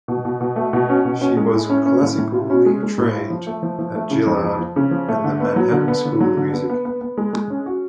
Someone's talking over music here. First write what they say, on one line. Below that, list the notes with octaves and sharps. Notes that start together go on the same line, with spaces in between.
She was classically trained at Juilliard and the Manhattan School of Music.
B2
B2
B2
A3
B2
C#4
B2
C#4
G#3
A2
C#4
C#4
A2
A2
F4
C#4
G#3
G#3
A2
F4
F3
A3
F3
F3
A3
C#3
F2
F3
F3
C#3
F3
A3
D3
B3
F#3
D3
B3
D3
F#3
D3
B3
B3
B3
B3
G#3
G#3
C#4
F#4